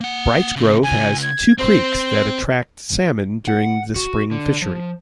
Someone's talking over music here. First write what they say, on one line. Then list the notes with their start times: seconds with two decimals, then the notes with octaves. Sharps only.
Brights Grove has two creeks that attract salmon during the spring fishery.
0.01 A#3 F#5
0.56 C#3 C4
0.83 C#3 F4 G#5
1.22 G#6
1.58 C4 C5
3.48 F#5
3.96 F#4
4.31 D3
4.62 F3